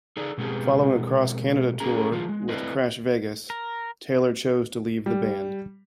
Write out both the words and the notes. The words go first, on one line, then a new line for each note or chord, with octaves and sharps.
Following a cross-Canada tour with Crash Vegas, Taylor chose to leave the band.
D#4 G#4 A4 D5
B2 G#3 B3 C4 G4 G#4
G#3 A#3 C#4 G#4 A#4 A#5
D#3 F3 G#3 F4
G#3
A3 C4 E4 B4 D5 D#5
A#4
G3